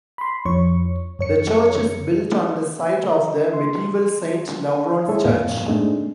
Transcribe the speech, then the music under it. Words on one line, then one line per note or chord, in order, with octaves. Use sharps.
The church is built on the site of the medieval Saint Lavrans Church.
B5 C6
F2 F3 C#5 C#6
F#2 C#5 C#7
C6
G#3 E4 G#4 A4 C#5 E5
F#2 A2 B3 F5
G#3 A3 C4 D4 D#4